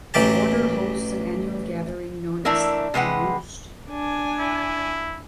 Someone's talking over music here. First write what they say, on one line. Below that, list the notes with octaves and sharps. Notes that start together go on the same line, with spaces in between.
The Order hosts an annual gathering known as the "Roost".
A1 E3 F#3 G4 A5
E3 A3 D4 E4 A#4
C3 G#3 B4 F#5
D4 G#5
E4